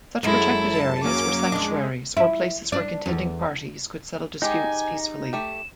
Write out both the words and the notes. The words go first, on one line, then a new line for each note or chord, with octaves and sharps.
Such protected areas were sanctuaries, or places where contending parties could settle disputes peacefully.
F#2 G#3 E4 A4
A5
F#3 A#3 C#4 D6
F2 G#3 D4
E4
D4
E2
G#3 D#4 G4 G#5
A3 G4 E7